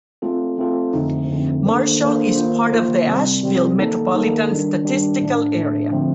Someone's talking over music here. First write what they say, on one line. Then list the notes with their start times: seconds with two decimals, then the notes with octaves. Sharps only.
Marshall is part of the Asheville Metropolitan Statistical Area.
0.22 A3 C4 F4 A4
0.58 A3 C4 F4 A4
0.94 F2 D3 A3 C4 D#4
1.30 F2 D3 A3 C4 D#4
1.66 D#3 A#3 D4 A4 C5
2.01 D#3 A#3 D4 A4 C5
2.36 D#3 A#3 F4 C5
2.72 D#3 A#3 F4 C5
3.07 C3 G3 C4
3.42 C3 G3 C4
3.78 D#3 A#3 D#4 A4
4.14 D#3 A#3 D#4 A4
4.49 D#3 G3 D4
4.85 D#3 G3 D4
5.20 A2 A3 D4
5.56 A2 A3 D4
5.91 D3 F3 A3 C4